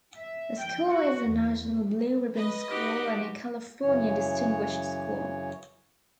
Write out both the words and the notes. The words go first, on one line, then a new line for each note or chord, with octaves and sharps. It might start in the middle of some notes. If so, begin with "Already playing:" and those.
The school is a National Blue Ribbon School and a California Distinguished School.
E5
G5
F#4
E2
B4 D#5
D#4 F#4 G4
F#2 C#3 E3 C#5